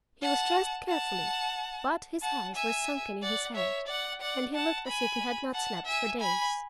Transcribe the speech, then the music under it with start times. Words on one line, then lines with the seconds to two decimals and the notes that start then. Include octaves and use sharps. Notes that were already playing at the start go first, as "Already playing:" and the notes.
He was dressed carefully, but his eyes were sunken in his head, and he looked as if he had not slept for days.
0.23 F#5 A5
0.89 F#5 A5
2.22 F#5 A5
2.55 E5 G#5
3.22 D5 F#5
3.55 C#5 E5
3.88 D5 F#5
4.21 D5 F#5
4.55 F#5 A5
4.88 G#5 B5
5.54 F#5 A5
5.87 E5 G#5
6.20 G#5 B5